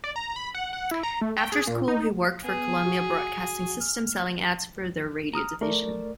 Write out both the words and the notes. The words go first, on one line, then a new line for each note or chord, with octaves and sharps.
After school, he worked for Columbia Broadcasting System selling ads for their radio division.
D5
A#5
B5
F#5
F#5
E4
A#5
A3
G5
G#4
A#2
D#4
B3 G#4
F#4
F6
A#5 D#6 F6
A3 A#4 D5